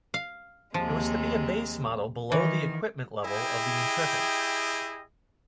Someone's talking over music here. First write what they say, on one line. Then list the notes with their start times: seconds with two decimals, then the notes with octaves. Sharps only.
It was to be a base model below the equipment level of the Intrepid.
0.14 F5
0.74 D#2 C3 F3 G#3
2.32 D#3 E3
3.24 E4 G4 G#4 D#5 G5